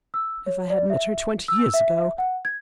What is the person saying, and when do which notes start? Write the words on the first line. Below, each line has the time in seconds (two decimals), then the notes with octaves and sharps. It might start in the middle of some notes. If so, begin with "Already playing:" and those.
If I had met her twenty years ago!
0.14 E6
0.46 C#5
0.70 D5
0.90 E5
1.48 E6
1.74 E5
2.18 F#5
2.45 G#6